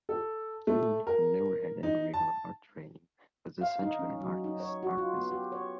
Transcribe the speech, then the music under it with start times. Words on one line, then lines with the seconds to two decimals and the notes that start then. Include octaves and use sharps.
Keene, who never had any regular art training, was essentially an artist's artist.
0.09 A4
0.67 A3
1.07 A#4
1.83 D#4
2.14 A5
3.61 F5
3.82 D#4
3.99 C#4
4.20 F#3
4.44 D#4
4.60 C#5
4.83 F#4
4.98 F4
5.16 B3
5.31 G4
5.52 C#5